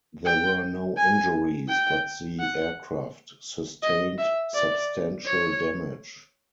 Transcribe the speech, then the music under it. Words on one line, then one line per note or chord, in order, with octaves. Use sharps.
There were no injuries, but the aircraft sustained substantial damage.
G5
G#5
G5
F#5
D#5
E5
D5
C#5